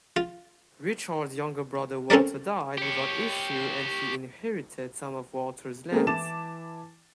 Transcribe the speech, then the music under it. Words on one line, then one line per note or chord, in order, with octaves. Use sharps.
Richard’s younger brother Walter died without issue and he inherited some of Walter’s lands.
F4
C4 C#4 A4 A#4 D5
G4 C#5
G#3 A#3 C4 C#4 G#4 A#4
E3 E4 A5 D6 A6 E7